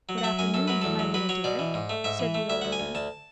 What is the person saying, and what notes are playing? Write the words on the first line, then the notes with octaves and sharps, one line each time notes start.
'Good afternoon, my little dear,' said the old man.
F#3
F#5
F#3 E5
F#2 G#5
F#2 A4
F#3 B4
E2 A4
F#3
F#3 B4
F#3 C#5
B2 D5
E3
G#2
A3
G#2 E5
E3
A3
D2 E5
D2 F#5
G#5
D2
D2 A5